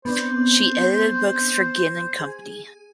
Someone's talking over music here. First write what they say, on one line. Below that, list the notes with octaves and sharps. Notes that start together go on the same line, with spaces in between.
She edited books for Ginn and Company.
B3 C4 D4 C5
G#4